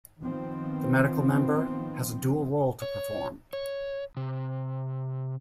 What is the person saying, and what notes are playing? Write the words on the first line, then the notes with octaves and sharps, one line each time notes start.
The medical member has a dual role to perform.
D#3 F3 B3 C4
C#5
C#5
C3